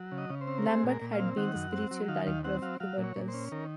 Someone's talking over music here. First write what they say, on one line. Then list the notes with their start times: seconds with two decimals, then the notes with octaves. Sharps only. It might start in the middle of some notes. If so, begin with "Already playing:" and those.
Lambert had been the spiritual director of Hubertus.
Already playing: F#3
0.12 C#3
0.18 D#5
0.30 C#3
0.41 C5
0.47 C4
0.58 A#4
0.65 G#3 C5
0.84 A#2
0.89 A#4
1.01 A#2
1.13 F5
1.19 C4
1.37 D#3 F#5
1.55 F#2
1.72 C4
1.91 F#3
2.08 D#3 F5
2.26 D#2 F5
2.44 C4 F#5
2.62 F#3 F5
2.80 F#3 F5
2.98 A#2
3.04 C#5
3.16 A#2
3.28 C5
3.34 C#4
3.52 D#3 A#4